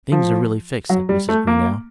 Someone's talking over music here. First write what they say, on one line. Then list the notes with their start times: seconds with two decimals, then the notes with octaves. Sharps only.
"Things are really fixed," said Mrs. Greenow.
0.12 F3
0.89 F#3
1.09 G3
1.29 A3
1.47 A#3